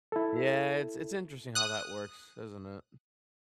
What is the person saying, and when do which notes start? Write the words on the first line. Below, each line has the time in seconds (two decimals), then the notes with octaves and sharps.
Yeah, it's it's interesting how that works, isn't it?
0.12 E4 A4
1.55 D#6 F#6